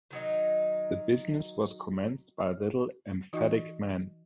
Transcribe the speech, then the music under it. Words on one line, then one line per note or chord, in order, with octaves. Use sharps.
The business was commenced by a little emphatic man.
D#3 F#3 D#4
E3 D#4 F#4 D#5 C#6